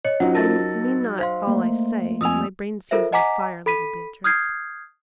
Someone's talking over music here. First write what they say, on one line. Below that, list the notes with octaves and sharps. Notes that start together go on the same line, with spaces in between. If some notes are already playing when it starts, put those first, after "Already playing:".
I mean not all I say--my brain seems on fire, little Beatrice.
C#5 D#5 C#7
F#3 C#4 D#4 F4 C5 F#5
A#4 A5 E6 A6 A#6
C5 F5 C6
A3 A#3
F2 G#5 D#6 E6 F7
F4 A4 A#4 C5 E5
D#5 F#5 G#5 A#5 D6 B6
A4 B5 B6 D#7
D#6 F6 G6 G#6 C7